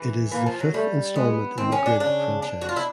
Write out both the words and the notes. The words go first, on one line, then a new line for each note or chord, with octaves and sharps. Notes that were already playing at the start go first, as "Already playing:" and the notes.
It is the fifth installment in the "Grid" franchise.
Already playing: E3
E3 A#3
F3
F#3
G3 A3
G#3 B3
D#3 C4
C#4
D4
C#3 D4
D4
F#4
F4
E4